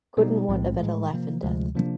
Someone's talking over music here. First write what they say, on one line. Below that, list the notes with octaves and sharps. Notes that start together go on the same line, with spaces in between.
Couldn't want a better life and death.
B2 G3 B3 D#4
B1 A2 F3 G#3 C4
A2 E3 G#3
C3 F3 A#3
D2 C3 F3 G#3
C3 F3 A#3 D4